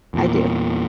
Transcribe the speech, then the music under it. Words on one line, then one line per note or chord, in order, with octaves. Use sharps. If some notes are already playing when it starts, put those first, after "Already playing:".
I do.
E2 A#2